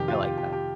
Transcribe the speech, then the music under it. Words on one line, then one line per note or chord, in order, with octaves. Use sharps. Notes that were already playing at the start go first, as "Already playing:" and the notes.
I like that.
Already playing: F2 C3 D#3 G4
F4
G4
G4
G4